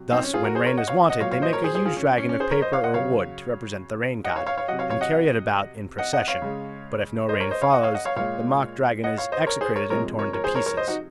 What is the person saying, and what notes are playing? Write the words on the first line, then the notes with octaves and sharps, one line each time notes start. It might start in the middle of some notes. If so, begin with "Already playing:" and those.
Thus, when rain is wanted they make a huge dragon of paper or wood to represent the rain-god, and carry it about in procession; but if no rain follows, the mock-dragon is execrated and torn to pieces.
Already playing: C3 F#3
C4 D#4
C#4
F4 G#4
F#4 A#4
G#4 C5
A#4 C#5
D#5 F#5
C#5 F5
D#5 F#5
A#2 F#3 C#5 F5
C#5 F5
C5 D#5
A#4 C#5
G#4 C5
G#4 C5
F4 G#4
C#4
C#4
C#4
G#4 C5
A#4 C#5
C5 D#5
C#5 F5
D#5 F#5
C#3 F#3 C#5 F5
D#5 F#5
C#5 F5
C#5 F5
C#5 F5
C3 F#3 D#5 F#5
C#5 F5
C#5 F5
D#5 F#5
D#5 F#5
D#5 F#5
C#5 F5
C#3 G#3
C5 D#5
A#4 C#5
C5 D#5
C#5 F5
D#5 F#5
C#5 F5
D#5 F#5
C#5 F5
A#2 G#3 C#5 F5
D#5 F#5
C#5 F5
C5 D#5
A#4 C#5
G#4 C5
A#4 C#5
C3 F3 G#3 A#4 C#5
A#4 C#5
A#4 C#5
G#4 C5
A#4 C#5
A#4 C#5
C5 D#5
D#4 F#4